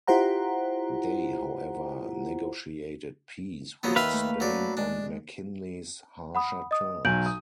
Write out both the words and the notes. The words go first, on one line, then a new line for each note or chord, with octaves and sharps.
Day, however, negotiated peace with Spain on McKinley's harsher terms.
E4 F4 G4 C5 F#5 A#5
F3 F#3 A#3 B3
D#2 B4 E5 F5 C6
A3
F#3 D5
G#3 D4
F#5 B5 D#6
D#5 D#6
B1 F#3 G#5 G6 D7 F#7
D#6